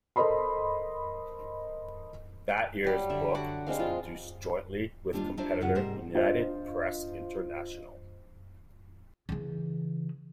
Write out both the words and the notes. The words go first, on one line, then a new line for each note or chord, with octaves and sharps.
That year's book was produced jointly with competitor United Press International.
A4 A#4 C5 D#5 B5 C6
F#3 G3
D3 E5
F#4 F#5 D6
G3 G#3 C4 F5
F3 F4
D#2 G3 D4 F4
D4 E4 F4 A#4 C5 D5
F#2 C#3 F4 F#5
G#2 C3 G3 A#4 C5
D4 F4 C5 D#5
C#3 E3